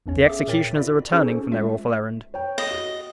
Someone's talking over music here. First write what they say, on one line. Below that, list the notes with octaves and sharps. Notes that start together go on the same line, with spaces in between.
The executioners are returning, from their awful errand.
A1 E2 C#4 C#5
G#4 E5 D6
A#2 A#4 C#5 G5 A6 B6
E4 F#4 D5
C#4 D#4 F#4 G#4 A4 C5
G#3 A3 F4 E5
C#5 G5
D#5
F#4